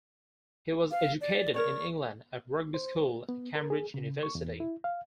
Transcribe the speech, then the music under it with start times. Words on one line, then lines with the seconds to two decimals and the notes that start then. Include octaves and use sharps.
He was educated in England at Rugby School and Cambridge University.
0.91 F5
1.21 D5
1.54 A#4 C#5 D5 C#6
2.74 C5
3.29 B3
3.55 A#4
3.70 G#4
3.94 C#3
4.23 C#6
4.35 E2
4.60 E4
4.84 F5